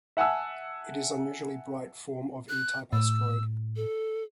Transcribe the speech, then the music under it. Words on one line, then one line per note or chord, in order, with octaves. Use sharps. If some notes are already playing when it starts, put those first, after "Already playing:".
It is an unusually bright form of E-type asteroid.
E5 F#5 G#5 A5 E6
F#6
A2 E6
A4